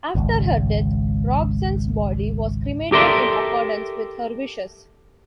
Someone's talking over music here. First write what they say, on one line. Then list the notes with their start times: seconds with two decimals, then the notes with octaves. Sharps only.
After her death, Hobson's body was cremated in accordance with her wishes.
0.15 G#1 C#2
2.92 G4 A4 A#4 D5 E5 C6